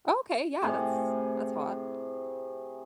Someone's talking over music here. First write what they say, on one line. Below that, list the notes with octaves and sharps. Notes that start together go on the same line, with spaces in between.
Okay, yeah. That's that's hot.
A2 C3 G#4